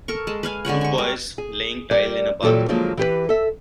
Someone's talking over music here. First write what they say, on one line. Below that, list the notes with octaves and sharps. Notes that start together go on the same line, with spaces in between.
Two boys laying tile in a bathroom.
A4 A#4 C#6
G#3 A5
B4 F5 G#5
D3 G#3 C#5 F#5
G#5 C#6
G3 A#4
G#4
G3 A#4 D5
A#2 E3 F#3 G3 A4 G5
D3 F3 F#3 G#3 A#3
E3 G4 B4
A4 E5